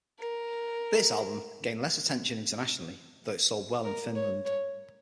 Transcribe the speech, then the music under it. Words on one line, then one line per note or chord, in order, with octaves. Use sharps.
This album gained less attention internationally, though it sold well in Finland.
A#4
A#4
C#5
C#5